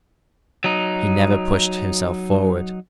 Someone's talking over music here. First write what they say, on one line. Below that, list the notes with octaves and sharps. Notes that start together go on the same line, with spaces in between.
He never pushed himself forward.
F#3 D#4